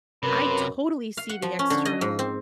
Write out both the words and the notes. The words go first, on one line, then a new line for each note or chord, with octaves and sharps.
I totally see the external
F#2 C3 A#4 B4 C#5
F5
F#5
F3
C#4
D3
D#5
G#2
C4